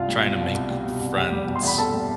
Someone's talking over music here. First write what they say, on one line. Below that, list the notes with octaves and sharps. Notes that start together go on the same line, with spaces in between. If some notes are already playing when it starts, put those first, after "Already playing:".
trying to make friends
Already playing: C2 G2 F4 F5
G3
B2
C2
C2
G3
B2
C2
E2 G4 G5
G3
B2
C6
E2 B5
E2 A4 A5
G3